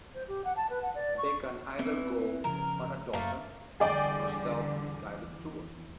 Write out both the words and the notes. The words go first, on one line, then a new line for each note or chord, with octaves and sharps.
They can either go on a docent or self guided tour.
C5
G4
F#5
A5
B4
F#5
D5
C#6
E3 B3 C4
C#3 F3 A#4
F#1 F#2 A3 A#3
E2 D3 G3 G#4 D5 G5